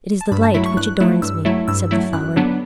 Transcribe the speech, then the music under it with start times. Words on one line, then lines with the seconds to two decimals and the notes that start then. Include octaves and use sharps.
"It is the light which adorns me," said the flower.
0.21 A5
0.31 G2 B5
0.43 A5
0.54 F#3 A3 E4 B5
0.66 C#6
0.77 G2 F#6
1.00 F#3 A3 E4
1.22 G2 E6
1.45 F#3 A3 E4
1.68 G2 E6
1.91 F#3 A3 E4
2.13 F#2 F#6
2.36 D3 F#3 B3 D4